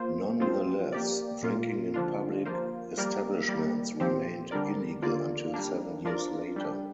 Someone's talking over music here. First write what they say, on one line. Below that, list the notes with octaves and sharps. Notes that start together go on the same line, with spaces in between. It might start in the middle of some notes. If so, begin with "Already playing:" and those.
Nonetheless, drinking in public establishments remained illegal until seven years later.
Already playing: A#3 F4 C5
F3 C4 F4 C5
A#3 G4 D5
A#2 A#3 F4
D3 F3 D4 F4
F3 A#3 F4 C5
G3 A#3 G4 A#4 D5
G3 A#3 G4 D5
A#2 F3 C4 G4 C5
D3 G3 D4 A#4 D5
D3 A#3 F4 D5
G3 A#3 D4
F3 D4 F4 A#4 D5
G3 D4 G4